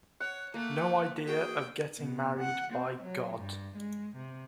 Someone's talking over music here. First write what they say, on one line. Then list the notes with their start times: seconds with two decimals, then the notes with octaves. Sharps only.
No idea of getting married, by God!
0.20 C#5 F#5
0.54 A3 A#3
1.27 F#4 G#4 G5
1.99 B2
2.40 F#5
2.74 C4
3.03 F#3
3.36 G2
3.76 G#3
4.16 C3